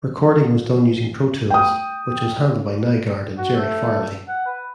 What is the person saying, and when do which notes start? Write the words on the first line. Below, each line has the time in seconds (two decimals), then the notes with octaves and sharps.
Recording was done using Pro-Tools, which was handled by Nygard and Jerry Farley.
1.50 G5 D#6
3.37 F#4
3.54 A3
4.28 F#5
4.46 B4